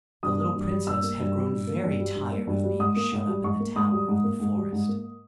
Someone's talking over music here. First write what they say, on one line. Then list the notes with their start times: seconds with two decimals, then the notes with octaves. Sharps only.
The little princess had grown very tired of being shut up in the tower of the forest.
0.23 G2 D#6
0.39 A#3
0.55 G2
0.71 G3
0.87 G2 E6
1.03 A#3
1.20 G2
1.35 G3
1.51 G2
1.67 A#3
1.84 G2
2.00 G3
2.15 G2
2.31 A#3
2.47 G2
2.64 G3
2.79 G#2 D#6
2.96 A#3
3.12 G#2
3.28 G3
3.44 G#2 C#6
3.60 A#3
3.76 G#2 D#6
3.92 G3
4.08 G#2
4.24 A#3
4.40 G#2
4.56 G3
4.72 G#2
4.88 A#3